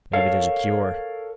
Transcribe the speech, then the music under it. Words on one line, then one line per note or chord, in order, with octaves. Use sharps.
Maybe there's a cure.
A4 A#4 C#5 F5